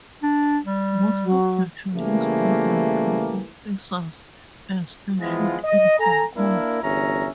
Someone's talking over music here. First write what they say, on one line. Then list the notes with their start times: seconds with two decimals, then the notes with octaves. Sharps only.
Most of the Chinese graduates were officers and stationed in Hong-Kong.
0.23 D4
0.65 G3
1.23 F#3
1.94 C#3 E3 G3 A3 A#3
5.19 E3 F3 G#3 B3 F4
5.64 D#5
5.99 A4 G#5 A#5
6.36 A#3 D4 E4 A#4
6.83 G1 E2 C#4 E5 A#5